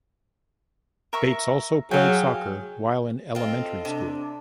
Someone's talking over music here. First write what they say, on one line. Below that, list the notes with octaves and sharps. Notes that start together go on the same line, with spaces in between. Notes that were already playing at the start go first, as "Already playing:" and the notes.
Bates also played soccer while in elementary school.
A#4 E5 C#6
F#3 G#4 F5 G5
C4 F4 A4 D#5
C3 D4